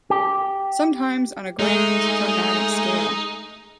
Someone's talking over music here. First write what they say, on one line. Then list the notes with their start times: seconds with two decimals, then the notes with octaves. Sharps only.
Sometimes on a grand, dramatic scale.
0.10 G4
1.59 G#3 A3 D#4 G#4